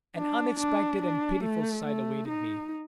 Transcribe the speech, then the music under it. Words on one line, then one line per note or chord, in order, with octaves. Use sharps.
An unexpected and pitiful sight awaited me.
D4
D4
D4
A3
A3
D#4